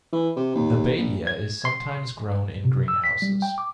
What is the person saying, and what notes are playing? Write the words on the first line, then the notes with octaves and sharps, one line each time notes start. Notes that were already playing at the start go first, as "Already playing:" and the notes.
The badea is sometimes grown in greenhouses.
E3
C3
D#2
A#1
G#6
C6
C3
E6
B6
G3
G5
D6